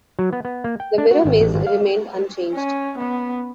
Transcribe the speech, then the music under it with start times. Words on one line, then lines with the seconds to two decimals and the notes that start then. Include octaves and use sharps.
The Mirror Maze remained unchanged.
0.19 F#3
0.33 B3
0.45 B3
0.64 A#3
0.80 G5
0.98 D4
1.11 F#4
1.25 G#1
1.40 A1
1.54 G#1
1.67 F5
2.55 C#4
2.99 B3